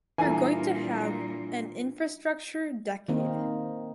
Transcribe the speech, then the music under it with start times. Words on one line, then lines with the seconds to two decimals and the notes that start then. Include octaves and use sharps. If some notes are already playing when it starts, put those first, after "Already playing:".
We’re going to have an infrastructure decade.
0.18 A#2 E3 G3 D4 F4 A4 G#5 A#5
3.08 D#3 A#3 C4 D#4